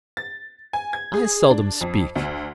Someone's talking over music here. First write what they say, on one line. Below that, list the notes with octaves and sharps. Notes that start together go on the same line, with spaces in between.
I seldom speak.
A6
G#5
G#6
G#4
D4
F2
D2